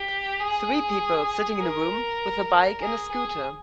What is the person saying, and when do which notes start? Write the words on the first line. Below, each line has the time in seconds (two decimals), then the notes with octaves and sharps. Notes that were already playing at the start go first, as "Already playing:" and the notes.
Three people sitting in a room with a bike and a scooter.
Already playing: G4
0.40 G#4
1.61 A#4
2.81 G#4
3.11 G#4